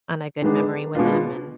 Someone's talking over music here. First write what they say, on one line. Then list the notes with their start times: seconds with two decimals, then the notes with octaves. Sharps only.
on a good memory with him, and
0.42 D#3 G#3 B3 D4
0.95 B2 G#3 B3 D4 F4